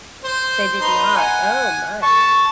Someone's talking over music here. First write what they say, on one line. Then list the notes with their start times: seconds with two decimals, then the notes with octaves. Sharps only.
They did not. Oh my.
0.24 C5
0.81 D#4 B4 C6
1.16 F#5 G#5
2.03 A5 C#6